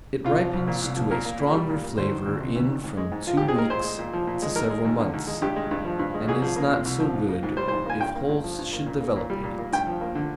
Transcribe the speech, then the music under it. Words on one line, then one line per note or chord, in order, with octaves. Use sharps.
It ripens to a stronger flavor in from two weeks to several months, and is not so good if holes should develop in it.
C2 F4
F3
C2
A#2
C2
F3
A#2 A#4
A#3
A#2
G3
A#2
A#3
D2 C5
D#3
D2
C3
D2
D#3
G#2
G#3
G#2
F3 F4
G#2 G4
G#4
G#3 A#4
A#2 C5
G#3
A#2
F3
A#2
G#3
D#2 A#4
G#3
D#2
D3
D#2
G#3
G2 G4
G#3
G2
F3
G2
G#3
C2 G#4
F3
A#3
C3
C2
F3
G#2
A#3
G#2
G3 C5
G#2 C5
A#3 G#5
G2 G5
A#3
G2
F3
G2
A#3
A#2
A#3
A#2
G3
A#2
A#3
G2 G5
F3
A#3
D3